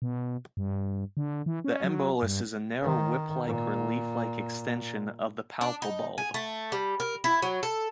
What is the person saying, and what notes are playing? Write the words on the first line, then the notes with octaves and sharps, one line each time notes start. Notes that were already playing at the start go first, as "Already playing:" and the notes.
The embolus is a narrow whip-like or leaf-like extension of the palpal bulb.
B2
G2
D3
E3
C#4
F#3
G2
D#3
A#2
D4
D#4
G#4
A3
G3
A#4
E4
F#3
A4